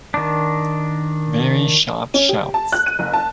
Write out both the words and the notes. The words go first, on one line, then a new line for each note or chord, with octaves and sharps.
Very sharp shouts!
D#3 D4
C#4
G4
A5
F#6
D#7
F#1
A5